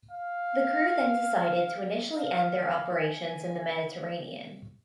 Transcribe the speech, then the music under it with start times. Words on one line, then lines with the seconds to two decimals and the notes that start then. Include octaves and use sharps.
The crew then decided to initially end their operations in the Mediterranean.
0.10 F5
2.15 F5
2.99 G#5